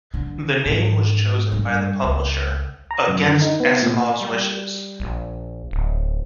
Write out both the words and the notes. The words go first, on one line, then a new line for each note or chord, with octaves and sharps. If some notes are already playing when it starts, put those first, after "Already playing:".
The name was chosen by the publisher, against Asimov's wishes.
D3
G#2
G2
C#2
A#5
F#2
D3
D#4
B3
A#2
G3
A#1
D1